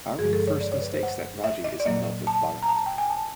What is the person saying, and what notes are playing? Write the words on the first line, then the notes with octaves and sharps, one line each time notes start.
Hari first mistakes that Raji is in love with Bharat.
G2 D3 F3 G#3 G#4
A4
C#5
D5
C#5
B4
C5
F#5
E5
D#5
D5
A#2 F#3 A#3 D#5
A5
A#5
A5
G5
G#5
A5